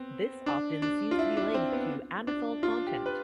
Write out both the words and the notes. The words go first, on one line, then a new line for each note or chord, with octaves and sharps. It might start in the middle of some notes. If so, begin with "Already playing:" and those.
This often seems to be linked to anethol content.
Already playing: B3 C4
D4
D4
F4
E4
D4
C4
B3
D4
F4
G4
B4